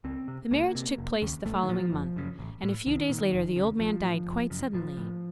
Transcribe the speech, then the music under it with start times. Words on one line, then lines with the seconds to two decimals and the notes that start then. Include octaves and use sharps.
The marriage took place the following month, and a few days later the old man died quite suddenly.
0.04 C#2 C4
0.28 C3
0.51 C#2 A#3
0.75 C3
0.98 F1
1.22 D#2 C#3
1.45 A#1 A3
1.63 D#3
1.69 A#2 F3
1.92 F#1
2.16 F#2 C#3
2.39 A1
2.63 A2
2.87 C2 D#3
3.10 A#2
3.33 F1
3.56 D#2 C#3
3.80 A#1 F3
4.04 A2
4.26 F#1
4.50 F#2 C#3
4.73 A1 F3
4.97 A2